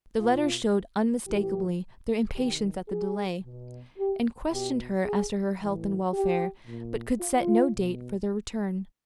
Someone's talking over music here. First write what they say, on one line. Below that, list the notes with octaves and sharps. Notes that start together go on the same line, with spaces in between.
Their letters showed unmistakably their impatience at the delay, and questioned her as to her health and welfare, but could set no date for their return.
B2 F4
A2 E3 G4
C3 D#3 G4
G#4
B2
G4
B2 G4
G#4
A2 E3
G4
A#2
F4
B2